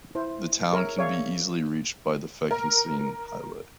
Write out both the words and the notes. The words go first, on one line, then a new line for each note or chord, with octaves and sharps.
The town can be easily reached by the Phetkasem highway.
E4 C5
G#4 A#4 C#5 E5
G#4 C#5 D5 E5 F5
A#4